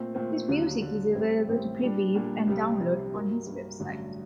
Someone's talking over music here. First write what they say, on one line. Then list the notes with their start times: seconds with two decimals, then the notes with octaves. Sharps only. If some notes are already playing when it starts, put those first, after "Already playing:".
His music is available to preview and download on his website.
Already playing: A#2 A3 C4
0.15 A#2 A3 C4
0.48 D#2 D3 F#3
0.82 D#2 D3 F#3
1.14 A1 A2 G3 C4
1.47 A1 A2 G3 C4
1.81 A#2 G3 D4
2.14 A#2 G3 D4
2.47 C2 C3 G3
2.80 C2 C3 G3
3.13 G2 F#3 A#3
3.47 G2 F#3 A#3
3.80 A1 G2 D3 F#3